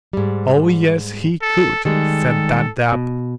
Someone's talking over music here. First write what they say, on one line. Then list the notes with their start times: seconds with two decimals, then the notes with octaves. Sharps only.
"Oh, yes, he could," said Dab-Dab.
0.13 G#2 G3
1.42 A4
1.85 D#3 G3 G#3 A4
2.92 B2